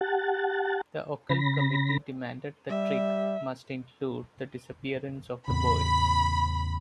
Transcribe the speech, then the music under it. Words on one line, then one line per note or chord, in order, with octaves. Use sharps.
The Occult Committee demanded the trick must include the disappearance of the boy.
G4 F#5 A5
C#3 B5 A#6
G3 E5
E2 A2 C#3 B5